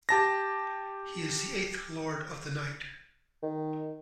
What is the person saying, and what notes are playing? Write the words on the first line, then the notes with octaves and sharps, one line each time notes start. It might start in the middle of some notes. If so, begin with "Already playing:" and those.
He is the eighth Lord of the Night.
G4 A5 A#6
D#3